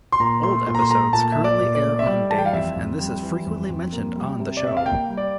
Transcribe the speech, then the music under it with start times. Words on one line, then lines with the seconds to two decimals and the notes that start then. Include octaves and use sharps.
Old episodes currently air on Dave, and this is frequently mentioned on the show.
0.12 C6
0.20 A#2 A#5
0.43 A3 C6
0.66 A#2 C6
0.75 A#5
0.82 C6
0.90 A3 A#5
1.13 A#2 A5
1.32 A3 E5
1.44 D5
1.60 A#2
1.75 D5
1.83 A3
1.99 E5
2.06 G3 D5
2.30 E3 A5
2.38 G5
2.46 F5
2.53 F2 E5
2.76 F2
3.00 G3
3.23 E3
3.46 F2
3.69 F2
3.92 A#3
4.16 G3
4.39 C3
4.57 D5
4.63 C3 E5
4.77 F5
4.86 A#3 G5
5.09 G3
5.17 D5